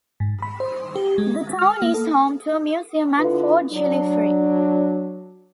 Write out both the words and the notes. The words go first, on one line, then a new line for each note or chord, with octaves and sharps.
The town is home to a museum and Fort Jillifree.
G#2
B5
C5
G4
G#3
F6
A#3
A4
D3 E4 F4 B4
F#3 D4